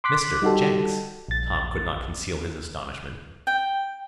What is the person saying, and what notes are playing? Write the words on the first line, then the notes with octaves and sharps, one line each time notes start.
"Mr. Jenks?" Tom could not conceal his astonishment.
C6 D6 F#6 B6
G3 D#4 F#4 G4 A4
A#1 A6
G5